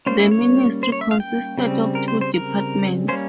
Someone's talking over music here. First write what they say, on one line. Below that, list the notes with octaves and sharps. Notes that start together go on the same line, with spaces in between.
The Ministry consisted of two departments.
G3 A#3 C#4 C5
E4
C#5
C5
C#5
E5
F5
G5
C#3 G3 C4
A#4
C5
C5
A#4
G3 A#3 C#4 C5